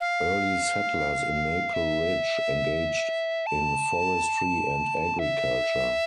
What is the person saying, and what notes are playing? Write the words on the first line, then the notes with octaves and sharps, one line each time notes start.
Early settlers in Maple Ridge engaged in forestry and agriculture.
F5
E5
A5
E5